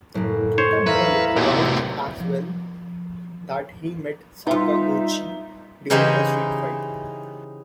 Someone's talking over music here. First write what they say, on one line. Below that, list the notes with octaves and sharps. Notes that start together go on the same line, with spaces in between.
Kitamura later vouched as well that he met Sakaguchi during a street fight.
F#1 A2
C5 C#5
E2 B4 E5 F5 A#5
D#2 A#2 B3 F#4 D5 G5
A2 C3
F3
G3 B3 D#4 F4 E5
C#3 E3 D#4 G4 C5 D#5